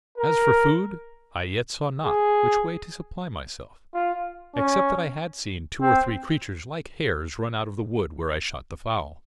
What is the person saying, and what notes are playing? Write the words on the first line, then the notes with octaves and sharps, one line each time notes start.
As for food, I yet saw not which way to supply myself, except that I had seen two or three creatures like hares run out of the wood where I shot the fowl.
A#4
G#4
F4
C#4
C4